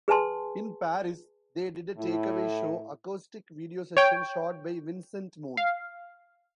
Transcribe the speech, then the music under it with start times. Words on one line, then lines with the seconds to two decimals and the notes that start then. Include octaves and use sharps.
In Paris, they did a "Take-Away Show" acoustic video session shot by Vincent Moon.
0.08 G#4 B4 G#5 A5 C6
1.98 A2 E4
3.97 C#5 G5
5.57 F5